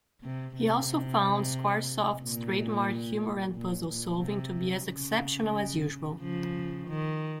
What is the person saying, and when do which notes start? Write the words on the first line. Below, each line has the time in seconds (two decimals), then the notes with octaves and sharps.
He also found Squaresoft's trademark humor and puzzle-solving to be as exceptional as usual.
0.24 C3
0.56 C3
2.23 A#2
3.55 A#2
3.89 A#2
4.22 C3
4.89 C#3
6.21 C#3 F3
6.88 D#3